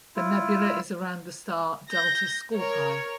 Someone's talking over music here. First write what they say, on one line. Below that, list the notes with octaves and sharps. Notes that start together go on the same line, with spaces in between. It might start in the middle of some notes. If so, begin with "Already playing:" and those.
The nebula is around the star Delta Scorpii.
E4 F4
G6 A#6
A#4 C#5